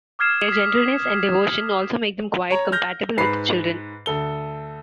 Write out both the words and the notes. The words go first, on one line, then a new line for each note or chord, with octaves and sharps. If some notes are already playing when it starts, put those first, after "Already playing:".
Their gentleness and devotion also make them quite compatible with children.
D6 D#6 F6 G#6 C7 E7
D#6 B6
C#5 A#5
F6 G6 A#6
G#2 B4 B5 C7
D2 A4 G7